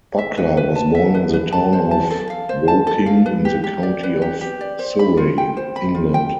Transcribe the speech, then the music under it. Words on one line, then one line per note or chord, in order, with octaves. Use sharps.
Buckler was born in the town of Woking in the county of Surrey, England.
E5
B4
B4
A5
E5
B4
B4
A5
C5
A5
A4
F5
C5
A5
A4
F5
B4
G4
G4
D5
B4
G4
G4
D5
C5
B5
F4
G5
C5
B5
F4
G5